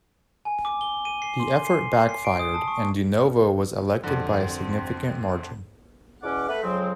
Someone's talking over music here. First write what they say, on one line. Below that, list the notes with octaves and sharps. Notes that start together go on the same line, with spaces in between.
The effort backfired, and DiNovo was elected by a significant margin.
G#5
D6
G7
D#7
C7
C6
C7
C7
D7
D#6
A5
C#6
F2 D3 C4
E2 B2 C#4 F#5 D6
A3 B3 A4 B4
F2 C#3 F#3 G#3 C4